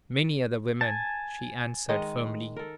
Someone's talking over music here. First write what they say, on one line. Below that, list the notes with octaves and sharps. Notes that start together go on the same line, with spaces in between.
"Many other women," she answered, firmly.
G#5 A5
D#3 G#3 D#5
A4 A#4